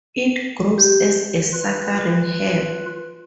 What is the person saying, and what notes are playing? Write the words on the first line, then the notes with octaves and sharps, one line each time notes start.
It grows as a suckering herb.
G4
F4 B4